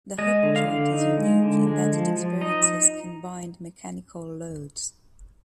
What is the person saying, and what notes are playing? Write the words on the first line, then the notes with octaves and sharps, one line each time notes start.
The hip joint is unique in that it experiences combined mechanical loads.
G#3 D#5
D3
F5
D3
D#4
G#3
D3
G#3
F3
F3
D#4 D#5